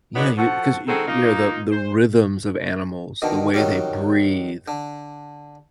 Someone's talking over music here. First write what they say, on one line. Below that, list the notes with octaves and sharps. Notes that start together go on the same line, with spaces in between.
yeah, you 'cause, you you know, the the rhythms of animals, the way they breathe,
F#3 G#3 B3 D4 D#4
F3 F#4 A4 F#5
D#3 G#3 C4 F#4 G#4 A4
A#3 D#4 F4
C5
B2 D3 D#3
D#3 F#3 G3
D3